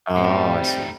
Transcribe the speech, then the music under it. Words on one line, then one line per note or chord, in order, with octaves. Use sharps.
Oh, I see.
A2 G3 C4
A3 D#4